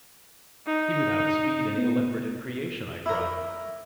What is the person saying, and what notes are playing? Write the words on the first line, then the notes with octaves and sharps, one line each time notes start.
"He would outspeed any leopard in creation!" I cried.
D#4
B3
E4 A#4